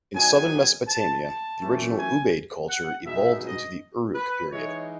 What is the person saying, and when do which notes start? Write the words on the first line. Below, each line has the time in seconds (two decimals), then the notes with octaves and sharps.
In southern Mesopotamia, the original Ubaid culture evolved into the Uruk period.
0.15 D#3 F#3 B3 D#4 G#5
0.87 A5
1.24 A5
1.60 F#2 E3 A3 C#4
1.97 G#5
2.69 F#5
3.06 B2 G#3 D#4 E5
3.43 D#5
4.15 B4
4.51 E3 G#3 D#4 C#5